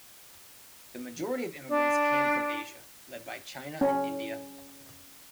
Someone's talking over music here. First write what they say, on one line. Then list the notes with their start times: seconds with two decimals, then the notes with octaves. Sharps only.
The majority of immigrants came from Asia, led by China and India.
1.68 D4
3.81 C#4